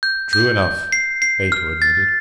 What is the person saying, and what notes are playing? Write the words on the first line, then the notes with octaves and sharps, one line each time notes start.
"True enough," Ato admitted.
G6
G6
G6
C7
C7
F6
A6